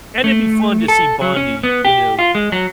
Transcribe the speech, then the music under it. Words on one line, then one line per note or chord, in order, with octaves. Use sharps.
And it'd be fun to see Bondi, you know,
A3
A4
F#3
C#4
B3
G4
F4
G#3
F#3